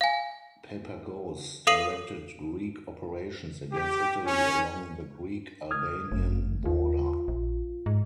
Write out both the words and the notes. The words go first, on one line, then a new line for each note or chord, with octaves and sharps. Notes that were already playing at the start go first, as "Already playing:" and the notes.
Papagos directed Greek operations against Italy along the Greek-Albanian border.
F5 G#5
A4 F5 D#6 C7 D#7 F#7
G4
C#4
D#6 F6 G#6
G1 F#2 A3
D#2 F4
A#1
G#2